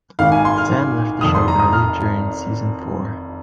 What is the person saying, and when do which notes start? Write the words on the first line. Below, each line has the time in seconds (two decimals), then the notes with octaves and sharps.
Sam left the show early during season four.
0.19 G#1 G#2 D#3 F5
0.32 G#5
0.45 C6
0.58 F6
1.21 F1 F2 D#3 D#6
1.35 C6
1.48 A#5
1.59 D#6
1.73 F6